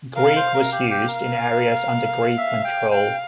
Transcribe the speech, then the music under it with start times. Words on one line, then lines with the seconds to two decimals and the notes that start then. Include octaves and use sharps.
Greek was used in areas under Greek control.
0.17 A#4 F5
0.36 C5
0.54 A#4
0.72 G4 F5
0.90 G4
1.08 A#4
2.38 E5
2.65 G5
2.91 F5 G5